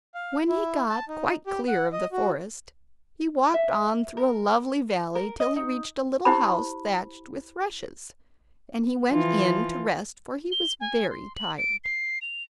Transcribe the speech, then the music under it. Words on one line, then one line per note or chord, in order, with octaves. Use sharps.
When he got quite clear of the forest he walked on through a lovely valley till he reached a little house thatched with rushes, and he went in to rest for he was very tired.
F5
E4
A5
D#4
G4
F#5
D#5
F#4
E5
A#4
A#4
D#5
D#4
E4 G4 C5 B5
E3 F3 F4
G7
G#5
C6
F#7
D7
C7
F7